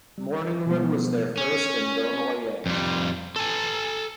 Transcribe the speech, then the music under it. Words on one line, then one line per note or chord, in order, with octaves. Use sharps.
Morningwood was their first and only act.
G3
B2 E3 F3 G3 G#3 B3
C#4
F2 G3
A4 G#5